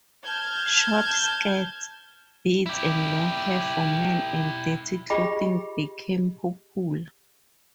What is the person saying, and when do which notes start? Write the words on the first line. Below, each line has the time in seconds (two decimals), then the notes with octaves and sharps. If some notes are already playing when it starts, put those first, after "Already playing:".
Short skirts, beards and long hair for men, and dirty clothing became popular.
0.24 A5 F6 G6 G#6
2.66 E4 G4
5.10 F4 G4 G#4 D#5 G5 B5